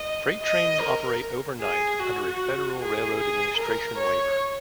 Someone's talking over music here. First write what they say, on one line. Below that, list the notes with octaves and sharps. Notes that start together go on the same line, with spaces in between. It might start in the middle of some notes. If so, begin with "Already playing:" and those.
Freight trains operate overnight under a Federal Railroad Administration waiver.
Already playing: D#5
D#5
A#4
G#4
F#4
G#4
G#4
A#4
C#5